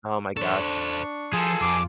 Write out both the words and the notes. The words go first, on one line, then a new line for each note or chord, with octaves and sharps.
Oh, my gosh.
D4 A4 C5 C#6
F3 F4 G#4 A4
F2 D6